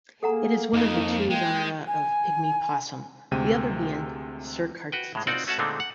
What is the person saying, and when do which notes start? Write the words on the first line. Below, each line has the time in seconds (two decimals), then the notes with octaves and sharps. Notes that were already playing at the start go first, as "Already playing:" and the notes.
It is one of two genera of pygmy possum, the other being "Cercartetus".
0.23 A#3 G#4 A4 F#5 A#5
0.73 F2 D#4
1.30 G#3 G5
1.87 G#5
3.31 D2 C3 G#3 G5 D#7
4.92 F#4 B4 G5
5.15 A2 G#3
5.27 C4 D#4 F4 F#4 D5 F#5
5.47 A3 C#4 F#4 E5 F#5 A5
5.59 A#2 D3 G#3 A3 C4 D#4
5.80 F#5